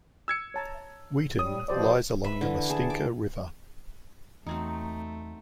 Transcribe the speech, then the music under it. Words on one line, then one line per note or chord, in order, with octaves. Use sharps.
Wheaton lies along the Mustinka River.
E6 G#6 C#7
C#5 A5 A#5
G3 C#5 D#6
B2 F3 G4 C5 D5
B4 E5
D3 E3
G#4 A5
D6
E2 F#3 A3 C4 D#4